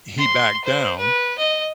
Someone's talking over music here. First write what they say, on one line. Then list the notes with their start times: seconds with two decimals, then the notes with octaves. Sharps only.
he backed down.
0.17 C6
0.65 C5
0.99 B4
1.38 D#5